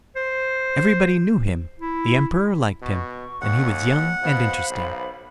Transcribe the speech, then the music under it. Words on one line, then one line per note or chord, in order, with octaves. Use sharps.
Everybody knew him, the Emperor liked him, and he was young and interesting.
C5
E4
B2 C#6
D#2 F#5
B2 C5 F5 B5
B1